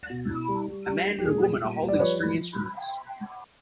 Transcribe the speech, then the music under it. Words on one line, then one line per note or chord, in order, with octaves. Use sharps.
A man and a woman are holding string instruments.
B2
B2
G3
G3
G3
G3
G4
A#2 G#4
A#2
G3
G3
D5
F3 B4 C#5
F3